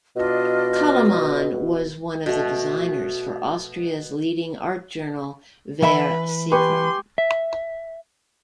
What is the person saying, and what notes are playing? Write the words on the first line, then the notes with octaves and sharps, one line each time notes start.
Koloman was one of the designers for Austria's leading art journal "Ver Sacrum".
B2 D4 F4 D#5
B2 A3
E3 B4 E5 B5
G4 B4 G#5 C6 C#6
E5